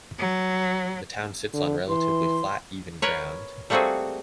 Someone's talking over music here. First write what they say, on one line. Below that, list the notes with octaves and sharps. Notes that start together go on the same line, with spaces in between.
The town sits on relatively flat, even ground.
F#3
D3
E3 C6
A#4 B4 C#5
G3 A3 A#3 C4 F#4 G#4